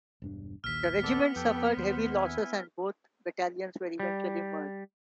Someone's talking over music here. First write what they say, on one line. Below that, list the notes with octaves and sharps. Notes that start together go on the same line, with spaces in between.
The regiment suffered heavy losses and both battalions were eventually merged.
E1 G2 D4
A#1 D#2 E6 F6 B6
B3 A4 D5
F2 G4 A4 G5
D#2 C5
E4 G#5
G3